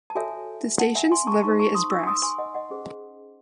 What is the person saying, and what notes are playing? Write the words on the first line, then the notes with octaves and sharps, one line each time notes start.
The station's livery is brass.
A5
F#4 A4 C#5 E5 G#5
F#5 A5
E5 G#5
G#5 C6
A5 C#6
D#4 G#4 C5 A5 C#6
A5 C#6
C6 D#6
C#6 E6
C6 D#6
G#5 C6
D#5 F#5
D#5 F#5
C#4 G#4 C5